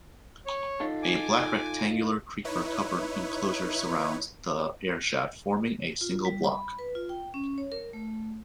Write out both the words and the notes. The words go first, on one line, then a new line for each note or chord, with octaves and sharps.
A black rectangular creeper-covered enclosure surrounds the air shaft, forming a single block.
C#5
D#4 F4 A4
G#5 D6
D#4 E4 B4 C#5
F4
G3
B5
B4
F4
G5
C#4
C#5
A#4
A3